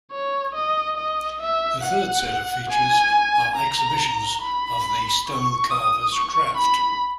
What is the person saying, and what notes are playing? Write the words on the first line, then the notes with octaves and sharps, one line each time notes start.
The third set of features are exhibitions of the stone carver's craft.
C#5
D#5
D#5
E5
F#5
G#5
A#5
B5
C#6
D#6
C#6
B5